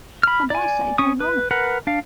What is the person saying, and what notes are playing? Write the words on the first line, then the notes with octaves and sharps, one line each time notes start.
And I say they're wrong.
B5 F6
D5 G#5
C#4 C#6 D#6
B4
A#4 B4 F#5
D4 F5